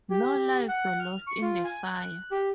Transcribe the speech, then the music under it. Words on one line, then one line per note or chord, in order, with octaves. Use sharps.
No lives were lost in the fire.
G4
F#5
F6
C#6
F4
G#5
F#6
G4